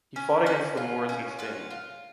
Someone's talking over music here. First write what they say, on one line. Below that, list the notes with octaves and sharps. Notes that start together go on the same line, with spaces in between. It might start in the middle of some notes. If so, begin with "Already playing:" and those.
He fought against the Moors in Spain.
C#4
C#4 F#5
F4
C#4
F4 F#5
F4